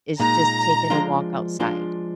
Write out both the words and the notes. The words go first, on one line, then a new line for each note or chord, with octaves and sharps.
is just taking a walk outside.
A#2 G#3 D#4 A#5
F3 G#3 D4 F4
F3 G#3 D4 F4